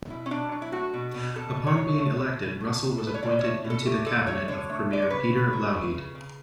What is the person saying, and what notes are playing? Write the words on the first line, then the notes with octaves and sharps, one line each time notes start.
Upon being elected Russell was appointed into the cabinet of Premier Peter Lougheed.
B2 E4
C#4
B2 D4
F#3
E4
A3 F#4
B2
B2
B2 A4
B2
C#5
F#3
A3
B2
B2
A3
B2
A4
A3 B4
C#5
B2 D5
A3 C#5
B2
A4
A3 G4
D3 A4
A3 C#5
D3 C#5
A3
D3 D5
C#5
C#3 B4
C#3
F#3
A3
C#3
C#3